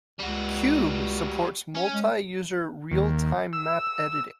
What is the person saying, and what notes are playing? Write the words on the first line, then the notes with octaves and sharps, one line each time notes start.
Cube supports multi-user, realtime map editing.
C#2 G3 F#4
C#4
G#3
D#2
E6